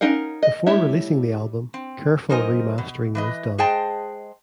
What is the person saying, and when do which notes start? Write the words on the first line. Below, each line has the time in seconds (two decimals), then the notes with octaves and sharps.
Before releasing the album, careful remastering was done.
0.01 C#4 D#4 A#4 F5 F#5
0.43 D#5
0.67 G3 A3 E4 C#5 E5
1.74 C4
2.30 F#2 D#4 A#4 C5 D#5 G#5
2.78 B2
3.15 E3 B4 D#5
3.58 G#3 G#4 C5 D#5 G5 A5